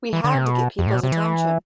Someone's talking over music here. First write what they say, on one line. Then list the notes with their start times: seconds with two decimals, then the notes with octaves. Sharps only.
We had to get peoples' attention.
0.13 E3
0.24 D3
0.35 C3
0.45 B2
0.79 F2
0.87 A2
0.94 B2
1.03 C3
1.12 E3